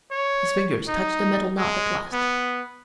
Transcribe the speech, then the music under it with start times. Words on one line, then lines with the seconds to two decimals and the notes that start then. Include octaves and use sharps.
His fingers touched the metal knob at last.
0.11 C#5
0.88 D#4
1.57 G#3
2.12 B3